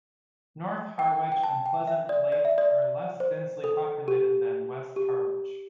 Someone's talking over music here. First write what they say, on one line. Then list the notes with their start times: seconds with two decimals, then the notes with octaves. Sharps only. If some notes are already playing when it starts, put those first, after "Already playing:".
North Harwich and Pleasant Lake are less densely populated than West Harwich.
0.99 G5
1.32 G5
1.44 A5
1.66 G5
1.87 E5
2.09 D5
2.32 D5
2.45 E5
2.58 D5
3.20 C5
3.64 A4
4.08 G4
4.96 G4